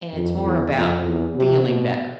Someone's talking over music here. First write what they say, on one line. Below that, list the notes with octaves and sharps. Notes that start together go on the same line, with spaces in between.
And it's more about feeling better.
F2
E2
F2
E2
C3
B2